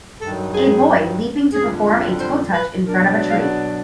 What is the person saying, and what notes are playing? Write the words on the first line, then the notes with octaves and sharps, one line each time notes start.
A boy leaping to perform a toetouch in front of a tree.
G2 D#3 F#3 A4
G#4
F2 D3 G3 G#4
C5
B4
B2 F#3 B3 D4 A#4
F5